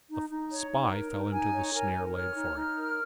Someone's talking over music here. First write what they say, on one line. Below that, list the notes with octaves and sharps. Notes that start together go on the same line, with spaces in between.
The spy fell into the snare laid for him.
D#4
D#4
C#5
D#4
A#4
D#4
D#4 G#5
C#5
A#4 G#5
A#4
C#5 F6
D#4
D#4
A#4